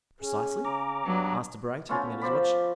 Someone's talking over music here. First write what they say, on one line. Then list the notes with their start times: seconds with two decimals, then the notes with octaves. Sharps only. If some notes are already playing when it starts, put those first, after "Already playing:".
"Precisely?" asked Debray, taking out his watch.
0.22 C#4 G#4
0.65 C#3 A#5 D6
1.05 G2 F#3 B3 D4
1.89 A3 B3 C#4 F4
2.21 F3 C5 D5 B5